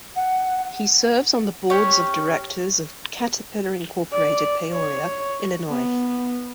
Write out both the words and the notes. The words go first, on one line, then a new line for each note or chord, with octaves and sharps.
He serves on the boards of directors of Caterpillar Incorporated Peoria, Illinois.
F#5
C#4 G4 C#5
D5
C#5
B3